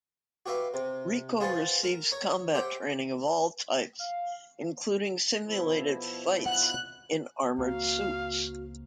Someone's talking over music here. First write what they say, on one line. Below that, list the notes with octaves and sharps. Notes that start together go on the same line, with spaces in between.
Rico receives combat training of all types, including simulated fights in armored suits.
F#4 G4 B4 E5 F5
C3
F4 G#4 B4 C5 F#5 A5
A#4
C#5 A#5
G4 C5 E5 F#5 G5
F5
B2 F3 E4
F#5 F#6
C#2 A#3 C4 F#4 F5